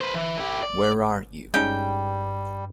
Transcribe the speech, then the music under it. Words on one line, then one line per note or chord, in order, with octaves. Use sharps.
Where are you?
B4 C5
E3
E4 G4
D5
G2 G3 G#3 C#4 D#4 G5